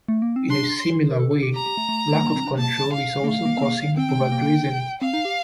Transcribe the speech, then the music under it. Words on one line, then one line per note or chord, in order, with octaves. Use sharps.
In a similar way lack of control is also causing over-grazing.
A3
A#3
C4
D4 C6
A#4
A4
A4
G4
G4 A#5
G4
A3
A3
A3
A#3
C4
D4
A#3 A5
F5
A#3
A3 F5
A#3
C4
A#3
C4 G5
C4
A3
A#3
C4 F5
D#4
G4